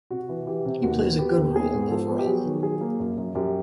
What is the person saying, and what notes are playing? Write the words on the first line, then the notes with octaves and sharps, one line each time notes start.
He plays a good role overall.
C3 F#4
E3
E3 G4
C3
D#2 F#4
B3
B3 G4
D#2
B3 G#4
G#2
F3 A4
B3
G4
F#3 G#4
D#3
F#3 G#4
A#3
F#2
F#2
F#2 G4